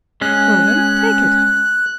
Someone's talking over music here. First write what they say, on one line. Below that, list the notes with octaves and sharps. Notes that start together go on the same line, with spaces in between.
"Well, then, take it."
G#3 C#4 F#6